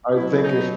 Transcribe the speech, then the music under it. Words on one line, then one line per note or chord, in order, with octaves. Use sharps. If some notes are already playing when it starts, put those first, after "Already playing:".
I think i
B2 F#3 E4
D#4